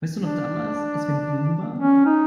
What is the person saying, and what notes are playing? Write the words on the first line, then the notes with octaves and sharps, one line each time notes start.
Weißt du noch damals, als wir noch jung waren?
D4
C#4
D#4